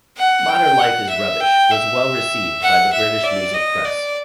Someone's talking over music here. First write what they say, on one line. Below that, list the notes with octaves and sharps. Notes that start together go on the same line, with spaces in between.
"Modern Life Is Rubbish" was well received by the British music press.
F#5
G5
F#5
E5
G5
E5
F#5
E5
D5
D#5
D5